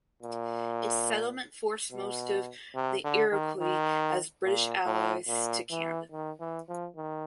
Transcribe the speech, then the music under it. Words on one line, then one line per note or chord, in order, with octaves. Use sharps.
Its settlement forced most of the Iroquois as British allies to Canada.
A#2
B2
C3
D3
D#3
D#3
A#2
A2
A#2
E3
D#3
E3
F3
D#3